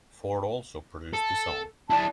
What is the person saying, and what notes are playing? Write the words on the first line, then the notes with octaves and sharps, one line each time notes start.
Ford also produced the song.
A4
E4 D5 A5